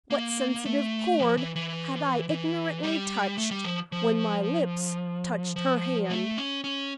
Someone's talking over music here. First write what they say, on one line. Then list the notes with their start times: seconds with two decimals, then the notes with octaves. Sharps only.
What sensitive chord had I ignorantly touched, when my lips touched her hand?
0.10 A#3
0.65 A3
1.19 F3
1.37 E3
1.56 E3
2.29 E3
2.83 G3
3.38 A3
3.51 G3
3.64 F3
3.92 F3
5.56 F3
6.10 A3
6.37 C#4
6.64 C#4